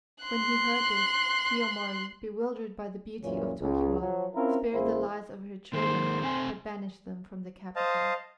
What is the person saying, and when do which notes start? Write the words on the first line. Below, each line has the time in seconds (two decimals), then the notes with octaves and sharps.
When he heard this, Kiyomori, bewildered by the beauty of Tokiwa, spared the lives of her children, but banished them from the capital.
0.24 C6 F#6
3.22 C#2 F#2 A#2 E3 C#4
3.60 C#2
3.99 F3 F#3
4.34 C4 C#4 E4 F4 A#4
4.73 A1 G#3 A#3 E4 G#4 C5
5.73 D#3 G#3 A#3 C5
6.22 A3 C4 G#5
7.76 C5 D#5 F5 A5